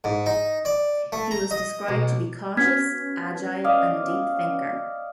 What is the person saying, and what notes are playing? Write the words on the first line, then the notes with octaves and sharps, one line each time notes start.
He was described to be cautious, agile, and a deep thinker.
G#2
D#4
D5
A3
A#5
D#5
B1
B3 C#4 F#4 F6 G#6 B6
D5 D#5 F5